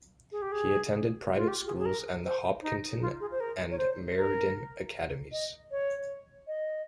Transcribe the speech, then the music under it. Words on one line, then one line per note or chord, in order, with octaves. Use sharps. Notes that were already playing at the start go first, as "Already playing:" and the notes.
He attended private schools and the Hopkinton and Meriden academies.
G#4
G4
G#4
F4
G4
G#4
G#4
A#4
C5
D#4
F4
G#4
C5
A#4
C#5
C5
A#4
D#5
C#5
D#5